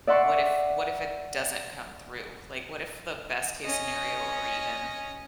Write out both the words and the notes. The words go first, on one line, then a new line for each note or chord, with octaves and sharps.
what if what if it doesn't come through? Like, what if the best case scenario, or even
D5 E5 F#5 C6 C#6
C#4 D#5